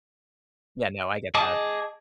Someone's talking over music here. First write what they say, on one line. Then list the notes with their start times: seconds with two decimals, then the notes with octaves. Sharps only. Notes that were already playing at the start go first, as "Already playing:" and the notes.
Yeah, no, I get that.
1.35 G#4 D#5 A5 D6